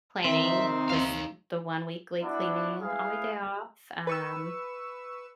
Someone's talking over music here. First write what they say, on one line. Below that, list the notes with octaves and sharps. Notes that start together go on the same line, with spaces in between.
planning just the one weekly cleaning on my day off, um,
C3 D#3 C4 E5
D#4 F5
B3 D4 E4 F#4
E4 G#4 B4 F5
B4 C#6 E6